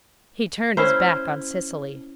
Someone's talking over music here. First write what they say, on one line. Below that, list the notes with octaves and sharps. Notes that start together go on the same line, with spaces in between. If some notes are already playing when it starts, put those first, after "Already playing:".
He turned his back on Cecily.
C#4 E4 C5